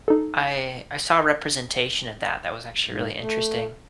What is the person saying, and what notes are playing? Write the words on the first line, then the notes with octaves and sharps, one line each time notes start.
I I saw a representation of that that was actually really interesting,
D#4 A4
G#2
A3